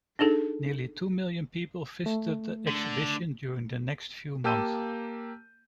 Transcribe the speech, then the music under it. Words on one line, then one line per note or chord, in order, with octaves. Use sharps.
Nearly two million people visited the exhibition during the next few months.
D4 D#4 G#4 A4
A3
D3
A#3 G4 A5 E6 G6 D#7